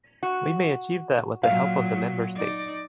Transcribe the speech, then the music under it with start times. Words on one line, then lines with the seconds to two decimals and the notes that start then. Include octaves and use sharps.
We may achieve that with the help of the member states.
0.23 F#4
1.43 A#2 F#3 F5
2.36 D#4 D5